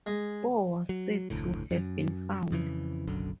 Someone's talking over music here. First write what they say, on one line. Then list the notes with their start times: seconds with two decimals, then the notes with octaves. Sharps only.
Spoor was said to have been found.
0.06 G#3
0.89 F#3
1.30 F1 D2 A2
1.71 F#2
2.52 F2 C#3 E3
3.08 F#1 B1 F#2 D3